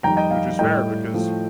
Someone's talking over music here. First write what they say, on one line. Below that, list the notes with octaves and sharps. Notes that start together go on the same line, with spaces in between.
Which is fair, because
F2 D#3 G3 G5 A#5
D#5 G5
F5
A2 G3 D#5 G5
A2 F3 A3